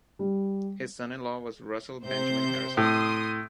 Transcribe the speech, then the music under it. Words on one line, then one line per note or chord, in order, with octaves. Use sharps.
His son-in-law was Russell Benjamin Harrison.
G3
C3 C5 G6
A2 C6 D#6